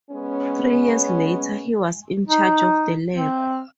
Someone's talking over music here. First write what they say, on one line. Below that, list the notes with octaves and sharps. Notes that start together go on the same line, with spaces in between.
Three years later, he was in charge of the lab.
G#3 B3 C#4
D#4
C4